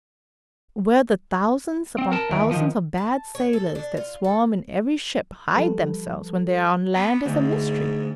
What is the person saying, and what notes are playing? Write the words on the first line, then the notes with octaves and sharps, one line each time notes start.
Where the thousands upon thousands of bad sailors that swarm in every ship hide themselves when they are on land is a mystery.
C4
A#4 A5
D#2 E3
D#3 F3
A5
C#5
A4
D4
F4
A4
F3 G3 A4 B4
B3
D2 G#2
G#4